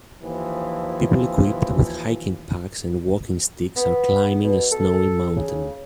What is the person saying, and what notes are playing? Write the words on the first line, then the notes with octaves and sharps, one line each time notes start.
People equipped with hiking packs and walking sticks are climbing a snowy mountain.
D#2 E3 F3
B3
B2
A4
C#3